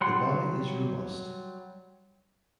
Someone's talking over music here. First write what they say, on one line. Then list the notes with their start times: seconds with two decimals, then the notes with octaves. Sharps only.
The body is robust.
0.01 F#3 G3 F#5 C6